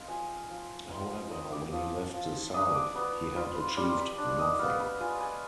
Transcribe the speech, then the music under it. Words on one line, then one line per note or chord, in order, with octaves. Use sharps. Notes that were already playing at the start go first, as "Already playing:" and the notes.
However, when he left the south, he had achieved nothing.
Already playing: C4 D#4 C5 F5
F3 G#5
F3
D#4 C6
D#6
C4 D#6
D6
F3 D#6
F3
D4 D#6
D6
B3 D#6
F4 B5
C6
G3 C6
B5
D4
D#5
B3 F5
B5
F4 G#5
G#5